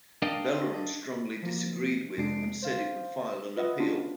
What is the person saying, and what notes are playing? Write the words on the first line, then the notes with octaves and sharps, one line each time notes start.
Veleron strongly disagreed with and said it would file an appeal.
D4 A#4 D5 D#5 F5 G5
F3 A#3
F2 C3 G#3 D4 C7 D7
C5 F5
F4 B4 D#5 E5 F#5
B3 C#4 D4 F4